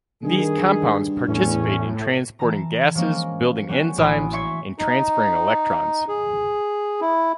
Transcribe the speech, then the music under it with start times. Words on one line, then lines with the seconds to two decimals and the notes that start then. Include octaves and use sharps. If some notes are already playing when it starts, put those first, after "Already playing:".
These compounds participate in transporting gases, building enzymes, and transferring electrons.
0.24 G2 D#3 G#4
1.28 E2 A2 C#4
2.39 E3 A5 A#5
2.95 F3 G#3 A#3 C#4 A#4
3.69 F#3 G3 C#4 F#4
3.98 A1 A2 G#5 B5 D#6 D7
4.33 D5 E5 C6 C#6 G#6 C#7
4.79 D#4
6.08 G#4
7.01 E4